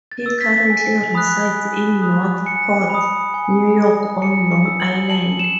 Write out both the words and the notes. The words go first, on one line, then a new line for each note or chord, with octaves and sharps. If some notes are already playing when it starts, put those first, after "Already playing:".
He currently resides in Northport, New York on Long Island.
A6
E6
B6
G#5
B5 D#6 F#6
G#5
B5 D#6 F#6
G#5 C#7
B5 D#6
G#5
B5
D#6
A5 C#7
C#7
E6
F#7
A5 F#7
E7